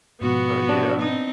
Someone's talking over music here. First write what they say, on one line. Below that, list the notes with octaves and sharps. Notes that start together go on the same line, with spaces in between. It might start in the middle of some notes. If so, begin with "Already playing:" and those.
But, yeah.
G#2 B2 F3 B3 F#4
D4
C4 D#4